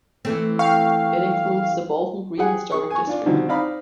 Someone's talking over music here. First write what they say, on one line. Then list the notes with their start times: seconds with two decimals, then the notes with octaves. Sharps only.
It includes the Bolton Green Historic District.
0.25 E3 A3 C4
0.59 F5 G5 C#6
2.38 G4 G#4 F#5 G#5
2.72 G#4 C#6
2.90 G#5 C#6
3.07 D4 F4 D5
3.26 B2 D3 D#3 F3 G3 C4
3.48 C4 D#4 D5 F5 A#5 B5